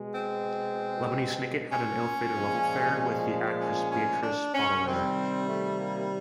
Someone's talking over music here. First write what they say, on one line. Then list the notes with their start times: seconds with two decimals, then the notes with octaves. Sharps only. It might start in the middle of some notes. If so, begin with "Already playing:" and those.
Lemony Snicket had an ill-fated love affair with the actress Beatrice Baudelaire.
Already playing: B2 G#3
0.15 C4
1.72 C#4
2.34 A#2 F3 G#3
3.61 C#4
3.92 C#4
4.23 D4
4.55 C#4
4.86 C3 D#3 G3 C4
5.49 A3
5.80 A#3